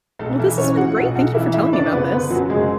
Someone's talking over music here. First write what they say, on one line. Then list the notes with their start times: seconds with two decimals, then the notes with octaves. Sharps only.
Well, this has been great. Thank you for telling me about this.
0.19 B1 A3 A4
0.38 B1 E3 E4
0.58 E3 C#4 C#5
0.77 A2 F#4 F#5
0.96 B1 F#4 F#5
1.15 B1 F#4 F#5
1.34 E3 E4 E5
1.53 A2 E4 E5
1.73 F#1 D4 D5
1.91 F#1 B3 B4
2.11 D3 B3 B4
2.30 F#2 F#3 F#4
2.49 F#1 G#3 G#4